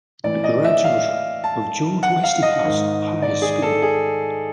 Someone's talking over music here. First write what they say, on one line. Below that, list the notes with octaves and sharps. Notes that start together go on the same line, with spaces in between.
A graduate of George Westinghouse High School.
A2 E3 D5
D#5
E5
F5
A5
F#5
F5
D#5
G#2 D#3
D5
G#4
A4
G#4